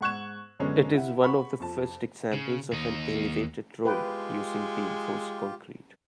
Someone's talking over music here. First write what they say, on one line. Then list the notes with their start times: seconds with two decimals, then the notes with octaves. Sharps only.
It is one of the first examples of an elevated road using reinforced concrete.
0.01 G#2 F#5 C#6 F#6 G#6 E7
0.60 F#2 D3 G#3 B3 C#4 D4
0.94 E4 F#5
1.22 F#5 B5 C#6
1.60 F2 A5
2.33 C#3
2.73 D#2 D#4
3.85 G#3 F4 G4 B4 G5